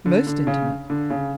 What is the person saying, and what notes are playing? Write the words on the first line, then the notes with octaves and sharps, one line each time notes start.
"Most intimate."
D3
D3
C#3
D3
C#3